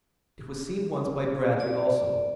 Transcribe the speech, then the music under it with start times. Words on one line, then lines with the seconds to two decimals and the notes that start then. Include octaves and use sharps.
It was seen once by Bradley also.
1.60 D5